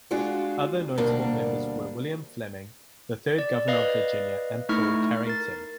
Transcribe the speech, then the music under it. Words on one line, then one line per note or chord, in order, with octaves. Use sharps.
Other notable members were William Fleming, the third governor of Virginia and Paul Carrington.
G#3 D4 F4 F#4 G#4
D2 B2 G3 A#3 D4
D5
B4 D5 D#5 F5
A3 D#4 E4 C#6 F6
A#4 A6